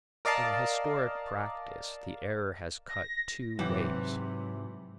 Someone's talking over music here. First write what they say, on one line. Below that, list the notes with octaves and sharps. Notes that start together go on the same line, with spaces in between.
In historic practice the error has cut two ways.
A#4 D5 D#5 F5 A5
A#6
G#2 C3 E3 F#3 G4